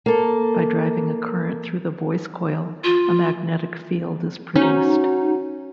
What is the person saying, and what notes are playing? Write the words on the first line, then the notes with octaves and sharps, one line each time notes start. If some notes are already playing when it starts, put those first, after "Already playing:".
By driving a current through the voice coil, a magnetic field is produced.
A#3 A4
F4
C#4 D#4 F#4